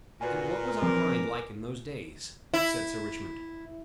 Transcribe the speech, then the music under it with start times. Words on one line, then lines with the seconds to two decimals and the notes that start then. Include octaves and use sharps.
"And what was our Mind like in those days?" said Sir Richmond.
0.21 A#2 F#4 B4 D5 G#5
0.82 F3 C4 A#4 D6
2.54 E4